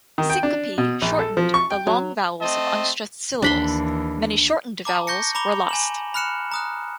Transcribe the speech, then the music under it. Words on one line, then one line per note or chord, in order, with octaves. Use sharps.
Syncope shortened the long vowels of unstressed syllables; many shortened vowels were lost.
D#3
G5
D4
B2
A#1
A4
F3
C#6
G5
F#3
A3 C4 D#5 A5
D#2 E3 D4 B5 C6
A5 A#5 D6
C#6 G6 A#6 C#7
A#5 B5 D6 F7 G7
G#5 E7 F#7
B5 F6 F#6 C#7 E7
A#5 D#6 F#6